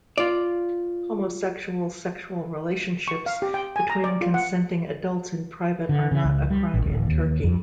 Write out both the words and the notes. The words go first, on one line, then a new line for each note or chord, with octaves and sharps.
Homosexual sexual relationships between consenting adults in private are not a crime in Turkey.
F4 D5
C#6
F5
G4
G5
G#5
A#5
D5
F4
F#5
D3
C#3
C#2
G3
A1
D1
D#2
F2